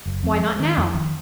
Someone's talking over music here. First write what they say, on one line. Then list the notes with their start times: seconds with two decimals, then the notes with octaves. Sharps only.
Why not now?
0.06 F#1
0.23 F2
0.41 G#3
0.59 D#3
0.77 F2
0.95 D#3